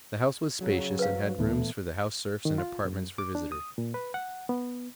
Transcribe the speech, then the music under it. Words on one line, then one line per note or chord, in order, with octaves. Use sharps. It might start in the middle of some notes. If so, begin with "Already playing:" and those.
The house was spacious and had rooms for the house serfs and apartments for visitors.
C#3 F#3
B4 C5 F5
D2 A#2 E3 A3 B3
D#3
F4
F#2
D6
D4
D#6
A#2
B4
F#5
B3